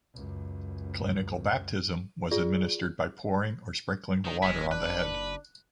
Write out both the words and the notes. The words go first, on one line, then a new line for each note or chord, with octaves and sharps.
Clinical baptism was administered by pouring or sprinkling the water on the head.
C#2 F#2
F4 G#4 D5
D#3
F#1 G#3 B6
D4 B4 F#6